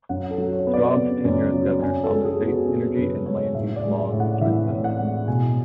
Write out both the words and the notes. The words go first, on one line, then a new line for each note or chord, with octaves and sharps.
Straub's tenure as governor saw the state's energy and land use laws strengthened.
F#2 F#5
A4
F#3
C#5
B3
D5
C#3
F#2
F#3
F#2 G#5
A4
G#3
G#4
B3
F#4
C#3 G#4
F#2 B4
G#3 C#5
A2 E5
D5
G#3
E5
A2
F#5
E3 E5
A2
F#5
G#3
B2 G#5